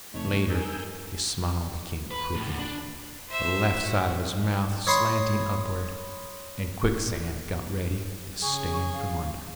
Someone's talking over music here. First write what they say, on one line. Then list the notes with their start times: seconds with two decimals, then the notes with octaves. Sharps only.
Later, his smile became crooked, the left side of his mouth slanting upward, and Quicksand got ready to stand from under.
0.14 E2 C3 A3 D#4 C#5
0.50 D#4 G#4 A#4 G#5 E6 G6
2.11 B4
2.35 A2
2.47 D2
2.59 D4
3.29 C5 E5
3.80 F#4
4.87 C#5 D#5 B5 C6
8.42 C#3 G#4 C#6
8.92 F5